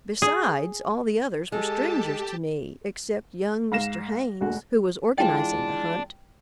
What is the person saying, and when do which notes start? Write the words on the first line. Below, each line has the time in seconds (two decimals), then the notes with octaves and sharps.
Besides, all the others were strangers to me except young Mr. Haynes, who was organizing the hunt.
0.22 G#4
1.52 G#3 G4 A4 A5
3.72 G#2 F5 A#6 E7
4.41 E1 D2 F#4
5.18 E3 G#3 F4 D5 G5 A5